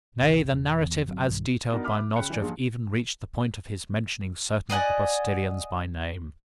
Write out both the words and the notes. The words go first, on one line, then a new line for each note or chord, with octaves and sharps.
Nay, the narrative, as detailed by Nozdrev, even reached the point of his mentioning certain of the postillions by name!
G1 C2 G2
E1
E2
G1 F#3 C4
B1 G2 D#3
B3 D4 D#4 F#4 A#4
E5 B5 D6 F6
D6
C#3 G5 B5 F#6 C#7
E3 D4
A#1 G2 A#3 G#4 C6
D5 D#5 F#5 G#5